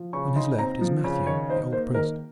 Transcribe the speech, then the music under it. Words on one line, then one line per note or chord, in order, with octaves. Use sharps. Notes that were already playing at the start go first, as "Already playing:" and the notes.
On his left is Matthew, the old priest.
Already playing: F3
C#3 C#6
D#4 C6
C4 A#5
F3
C#3
D#3 C#5
D#4 C5
A#3 C5
D#3 A#4